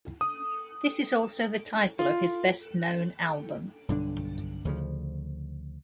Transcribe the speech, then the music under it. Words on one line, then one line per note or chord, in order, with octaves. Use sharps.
This is also the title of his best-known album.
D#6
F4
B1 G2 D3 D4
D2 C#3 F3